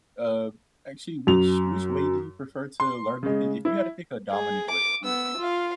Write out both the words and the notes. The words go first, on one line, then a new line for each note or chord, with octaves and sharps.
uh, actually, which which way do you prefer to learn new thin If you had to pick a dominant way, would it be?
F#2 F7
C6
C#3 G#3
E4
G#4
D6
B3 E6
F4 F5